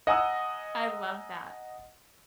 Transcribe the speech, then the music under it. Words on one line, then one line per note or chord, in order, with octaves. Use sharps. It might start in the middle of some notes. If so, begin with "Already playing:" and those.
I love that.
D#5 F#5 G#5 A#5 D#6 E6